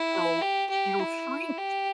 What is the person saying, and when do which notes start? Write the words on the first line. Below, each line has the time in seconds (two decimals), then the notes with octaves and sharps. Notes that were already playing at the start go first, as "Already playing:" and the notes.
will it'll shrink
Already playing: E4
0.42 G4
0.70 G4
0.99 E4
1.57 G4